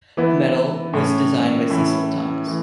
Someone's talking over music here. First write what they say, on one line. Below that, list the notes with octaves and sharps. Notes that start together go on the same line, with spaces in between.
The medal was designed by Cecil Thomas.
E3 B3 E4
A2 E3 C#4
A2 E3 C#4 E4
E3 A3